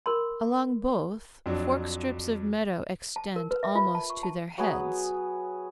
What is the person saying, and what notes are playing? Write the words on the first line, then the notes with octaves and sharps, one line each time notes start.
Along both forks strips of meadow extend almost to their heads.
A#4 B5 C6
F2 F#3 D4
A5
A#4
B4
E5
F4
A5
C#6
A5
F#3 B3 G#4